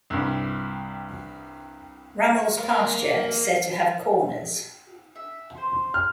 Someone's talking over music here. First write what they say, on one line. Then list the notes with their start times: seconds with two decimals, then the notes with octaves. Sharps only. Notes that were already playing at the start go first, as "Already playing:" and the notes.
Ramel's pasture is said to have corners.
0.10 C2 G2
2.57 A#4 F5
5.16 E5
5.55 C5 C6
5.94 F6